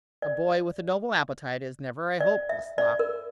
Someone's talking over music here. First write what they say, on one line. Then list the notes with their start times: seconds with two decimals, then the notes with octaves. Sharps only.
A boy with a noble appetite is never a hopeless lock.
0.22 D5
2.21 D5
2.49 E5
2.78 D5
2.99 A#4